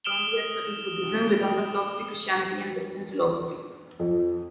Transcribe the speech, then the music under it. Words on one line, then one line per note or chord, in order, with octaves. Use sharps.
Gandhi had studied Buddhism, Vedanta Philosophy, Christianity, and western philosophy.
D#6 F6 D7 E7 F7 G7
F2